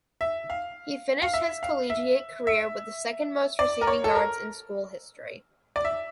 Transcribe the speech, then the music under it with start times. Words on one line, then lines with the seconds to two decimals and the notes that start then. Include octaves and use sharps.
He finished his collegiate career with the second most receiving yards in school history.
0.21 E5
0.50 F5
1.22 F5
1.34 E5
1.63 F5
1.90 E5
2.47 E5
3.59 D5
3.81 A#4
3.87 C#5
4.04 A4
4.15 A#4
5.76 D5
5.85 E5